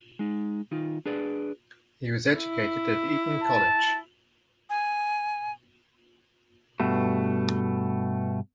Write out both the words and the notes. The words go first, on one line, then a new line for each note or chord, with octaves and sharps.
He was educated at Eton College.
G#3 D#4
D#3 D#4 F4
D4 G#4 B4 D5
E4
A5
G#5
G2 B2 A3